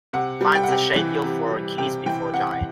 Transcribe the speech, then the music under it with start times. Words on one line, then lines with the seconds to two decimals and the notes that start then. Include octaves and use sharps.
Find the schedule for A Kiss Before Dying.
0.13 C3 F#5
0.41 G3
0.55 G5
0.63 F#5
0.68 C3 G5
0.96 E3
1.24 C3
1.51 G3
1.78 C3 G5
2.06 E3 G5
2.33 C3 F#5
2.52 F#5